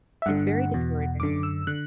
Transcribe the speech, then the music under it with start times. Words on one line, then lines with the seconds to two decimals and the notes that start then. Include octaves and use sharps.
It's very discouraging.
0.22 E5
0.26 G2 D3 F#5
0.74 E2 B2
1.20 F#2 D3 D6
1.43 E6
1.67 D3 F#6